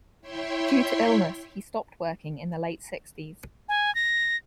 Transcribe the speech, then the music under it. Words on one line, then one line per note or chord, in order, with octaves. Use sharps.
Due to illness, he stopped working in the late sixties.
E4 C#5 E5 G5 C6
G#5
A#6